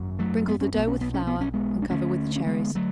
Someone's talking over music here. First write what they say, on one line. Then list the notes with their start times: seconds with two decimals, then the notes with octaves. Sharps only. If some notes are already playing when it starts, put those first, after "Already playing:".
Sprinkle the dough with flour and cover with the cherries.
Already playing: G#1 F#2
0.19 F#3 A3
0.48 B3
0.61 C#4
0.74 B1 B2 B3
0.88 C#4
1.01 B3
1.14 C#4
1.27 B3
1.41 C#4
1.54 G#3 B3
1.82 D4
1.90 D2 D3 A3 C#4
2.36 C#4
2.47 G#3 B3
2.75 F#3 A3